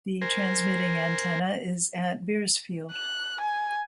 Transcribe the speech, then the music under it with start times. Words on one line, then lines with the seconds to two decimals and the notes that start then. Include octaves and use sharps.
The transmitting antenna is at Beresfield.
0.21 A#4 C5 G#5
2.91 F#6
3.41 G#5